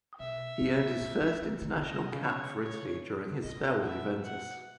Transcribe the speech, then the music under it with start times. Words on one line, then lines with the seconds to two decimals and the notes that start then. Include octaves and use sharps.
He earned his first international cap for Italy during his spell with Juventus.
0.20 B2 E5
0.61 C#3
1.01 D#3
1.21 D#3
1.41 E3
1.62 D#3
1.81 D#3 D#5
1.92 C#3
2.03 B2
2.12 C#3
2.22 C#5
2.62 C#5
3.43 C#3 D#5
3.56 B2
3.69 A#2
3.81 B2 E5
4.24 F#5